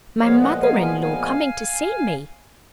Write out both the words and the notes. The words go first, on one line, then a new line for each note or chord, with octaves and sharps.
My mother-in-law coming to see me!
A#2 F3 G#3 B3 C#5 F5
D#5 F#5
F5 G#5
A#5
F5 G#5
F5 G#5